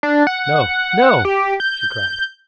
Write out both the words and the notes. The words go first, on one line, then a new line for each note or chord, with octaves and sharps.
"No, no," she cried.
D4
F#5
G4
G6